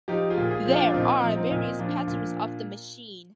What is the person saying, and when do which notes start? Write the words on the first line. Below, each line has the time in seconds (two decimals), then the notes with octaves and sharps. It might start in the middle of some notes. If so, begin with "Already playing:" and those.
There are various patterns of the machine.
0.08 F3 D#4 G4
0.30 F4 G#4
0.37 A#2
0.51 F4 G#4
0.65 F3
0.72 D4 F4
0.94 A#2 C4 D#4
1.22 F3
1.37 C4 D#4
1.51 A#2
1.79 F3 D4 F4
2.08 A#2